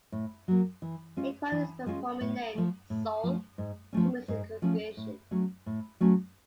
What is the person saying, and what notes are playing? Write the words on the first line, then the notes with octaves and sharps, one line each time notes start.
He acquired his performing name, "Soul," from his congregation.
A2
F#3 A#3
E3
G#3 C#4 F4
E3
G#3 C#4 F4
A2
F3 A3
A2
F3 A3
G#2
F3 A3 C#4
G#2
F3 A3 C#4
A2
F#3 A3 C#4
A2
F#3 A3 C#4